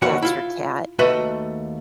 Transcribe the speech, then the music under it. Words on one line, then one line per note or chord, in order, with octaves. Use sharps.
That's your cat."
D#2 E3 F#4 A#4 C#5 F#5
E4 F4
D#2 A3 F#4 B4 D#5 E5